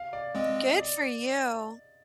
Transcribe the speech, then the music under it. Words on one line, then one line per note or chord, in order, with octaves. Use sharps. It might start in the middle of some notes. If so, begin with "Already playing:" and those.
Good for you.
Already playing: F5
D5
G#3 C4 D#5
D5